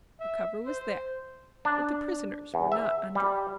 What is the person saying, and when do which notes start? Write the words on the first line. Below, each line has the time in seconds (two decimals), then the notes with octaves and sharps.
"The cover was there, but the prisoners were not under it."
0.20 E5
0.66 C5
1.65 D4
2.54 E2
2.72 E5
3.15 G3